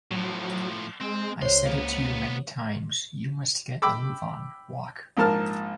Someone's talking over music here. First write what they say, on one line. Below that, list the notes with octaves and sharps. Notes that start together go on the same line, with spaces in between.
I said it to you many times: you must get a move on, walk.
A2 F3 F#3
G#3 C4
C#2 C5 C#5 C6
A#3 B3
G5 B5 D6 E6
A#1 G#2 A#4 A5 F6